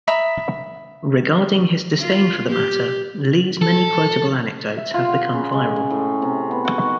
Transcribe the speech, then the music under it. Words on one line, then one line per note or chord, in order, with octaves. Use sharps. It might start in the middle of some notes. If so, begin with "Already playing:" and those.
Regarding his disdain for the matter, Li's many quotable anecdotes have become viral.
E5 A#5 B5 D#6
F4
G4
A4
E5
F4
F#5
C#3
G#3
C#4
A2
C3
B3
F#4
D#3